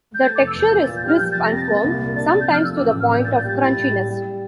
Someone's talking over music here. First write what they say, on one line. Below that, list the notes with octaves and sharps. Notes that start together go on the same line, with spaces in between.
The texture is crisp and firm, sometimes to the point of crunchiness.
G6
A3 A6
D6
F1
E6
E2 G6
F4
A6
A#2
G6
G3 F6
F3 G6
A6
F1
A#6
F2 A6
A#3 A6
C2
A#2
D4 A6
A6
C3
G6
F3 F6
A3 E6
D6
A1
E6
A2 F6
A#2 G6
A6
A#2
G6
G3 A6
E4 A6
A2
G3
G3